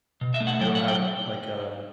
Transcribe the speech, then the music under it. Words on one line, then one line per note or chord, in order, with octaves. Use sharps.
I don't have like, uh
B2
E5
A3
F#5
F#3 G5
F#5
G5